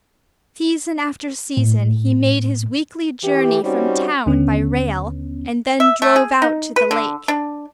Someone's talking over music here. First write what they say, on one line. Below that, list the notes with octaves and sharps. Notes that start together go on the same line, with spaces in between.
Season after season he made his weekly journey from town by rail, and then drove out to the lake.
A2
E3 G4
G3 C4 C#4 D#4 F#4
D#2 D3 B3 C#4
E5
A3
G#4
D#4
B4
D3
D4